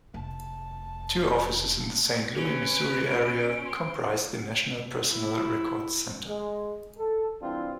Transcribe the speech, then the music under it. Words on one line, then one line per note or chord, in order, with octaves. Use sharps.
Two offices in the Saint Louis, Missouri area comprise the National Personnel Records Center.
F1 A5
C#4 B4 D7
C6
E4
G#3
A4
E3 G3 C4 D4 E4 F4